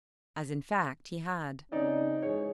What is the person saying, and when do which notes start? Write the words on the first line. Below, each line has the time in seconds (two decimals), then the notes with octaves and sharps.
As, in fact, he had.
1.72 C#3 C4 C#4 D#4 D5 D#5
2.22 G#2 E3 G#4 C#5